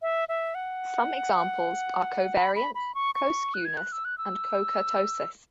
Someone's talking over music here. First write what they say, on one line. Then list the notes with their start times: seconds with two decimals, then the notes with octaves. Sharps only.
Some examples are covariance, coskewness and cokurtosis.
0.02 E5
0.29 E5
0.55 F#5
2.36 B5
2.56 B5
2.75 B5
2.95 C#6
3.15 C#6
3.54 F#6
3.65 G#6
3.77 F#6
3.92 E6
4.05 F#6
4.18 E6